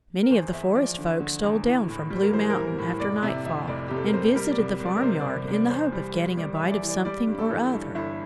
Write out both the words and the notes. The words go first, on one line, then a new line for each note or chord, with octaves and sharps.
Many of the forest folk stole down from Blue Mountain after nightfall and visited the farmyard in the hope of getting a bite of something or other.
A#4
E2 C5
E2 E5
F3 D5
D3
D3
E2
E3
A2
G3
A#4
E3 C5
A#4
E3
A#4
A2
F1 D5
C3 E5
F2 E5
F1 D5
C3 G4
A4
A#4
C3 C5
G3 A#4
D5
C2
C2
D5
A#4
C3 C5
D5
C2
C2
D5
E2 C5
G3
G3
G3 D5
E5
E2
D5
E3
D5
G3 D5
G2
A4
E3
G2
G1 E4